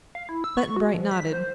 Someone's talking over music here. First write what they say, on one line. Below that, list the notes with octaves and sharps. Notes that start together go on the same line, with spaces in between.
Button-Bright nodded.
F5
E4
E6
C#6
F#4
F3
B6
C5